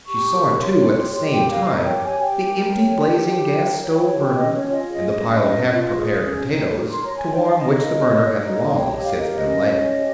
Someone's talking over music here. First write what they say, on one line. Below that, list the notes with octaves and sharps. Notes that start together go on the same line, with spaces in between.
She saw, too, at the same time, the empty, blazing gas-stove burner, and the pile of half-prepared potatoes, to warm which the burner had long since been lighted.
G4 C#6
A#4
C#5 C6
G4
G4
G5
A#4
F5
C#5 D#5
G5
G4
G#5
G4 G5
A#4
C#5
G4
G4
A#4
C#5
G4
C#4 D#5
C#5
F4
D#5
G#4 D#5
C#4
C#4
F4
G#4
C#4
D#4 G5
A#4
C6
C#5 A#5
G#5
D#4 G5
F5
D#4 D#5
A#4
C#5
D#4
C#5 F5
G5
G4 D#5
F5
A#4 D#5
F5
D#5
C#4
C#5
G4